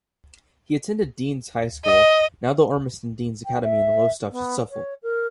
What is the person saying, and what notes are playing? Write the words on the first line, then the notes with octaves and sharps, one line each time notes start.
He attended Denes High School, now the Ormiston Denes Academy in Lowestoft, Suffolk.
D#5
G5
E5
B3
C#5
A#4